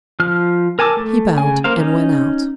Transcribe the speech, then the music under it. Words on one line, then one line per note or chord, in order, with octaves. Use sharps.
He bowed and went out.
F3 F6
A#4 G#5 A5 D6 E6
A3
C#3 G#5
A#3 A#4 C5 F5
C#4 D#4